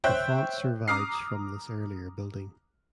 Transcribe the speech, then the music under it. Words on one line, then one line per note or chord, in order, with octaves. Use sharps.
The font survives from this earlier building.
C5 C#5 E5 G5 F#6 G6
A#5 D6 D#6 F6 C7